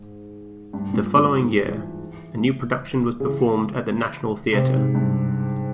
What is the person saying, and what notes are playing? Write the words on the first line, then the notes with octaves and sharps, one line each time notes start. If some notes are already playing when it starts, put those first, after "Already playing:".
The following year, a new production was performed at the National Theatre.
Already playing: G#2
G2
A#2
A#2
G#2
E3
C#3
E3
C3
G#2
G2